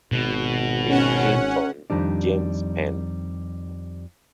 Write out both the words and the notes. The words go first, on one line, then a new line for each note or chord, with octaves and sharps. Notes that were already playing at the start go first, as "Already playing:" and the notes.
Pilkington, James Penn.
G#1 B2
C#4 F#5
F2 D#3 G3 D4